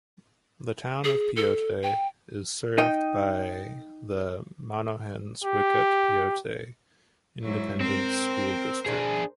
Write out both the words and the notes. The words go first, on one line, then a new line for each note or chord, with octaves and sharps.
The Town of Pyote is served by the Monahans-Wickett-Pyote Independent School District.
G#4
A4
G5
D#4 D#5 G5
G4
G#2 F#3 E4
C4 A#4 C5
D4 G#4